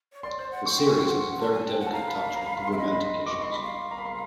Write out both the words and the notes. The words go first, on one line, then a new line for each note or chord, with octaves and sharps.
The series has a very delicate touch with the romantic issues.
C#5
D5 C6
C5
F#5
F#5 C#6
G5 C6
G#5 C#6
G5 C6
F#5
A5
G#5
G5
F#5
A5
F5 A#5
B5
B5
A#5
B5
C6
C6
E5
D#5 B5
B5
C6
D6
C#6
C6
B5
F5
A#5
B5
C6